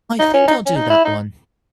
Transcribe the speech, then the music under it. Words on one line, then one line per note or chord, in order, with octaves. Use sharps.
I think I'll do that one.
D#4
C#4
D#4
C#4
D#4
E4
D#4